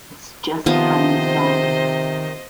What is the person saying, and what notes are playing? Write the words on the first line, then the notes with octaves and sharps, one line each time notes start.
It's just funny sounding.
C3 D#3 F3 B3 C5 D#5